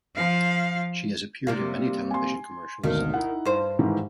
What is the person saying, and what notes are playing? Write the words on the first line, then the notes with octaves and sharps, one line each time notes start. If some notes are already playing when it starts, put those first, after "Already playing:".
She has appeared in many television commercials.
F3 F5
C3 G3 A#3
G#5 C6
G#1 D2 B2 D#3
D#4 E4 F#5
G2 C5
G#2 D#3 E3